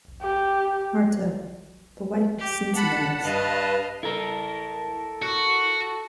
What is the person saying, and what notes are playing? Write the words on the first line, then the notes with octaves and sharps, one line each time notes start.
Marthe- The wife of Cincinnatus.
G4
G4
F#5 A5 B5
G2 B4 D#5 F5 A5
E4 A4 A#4
F#4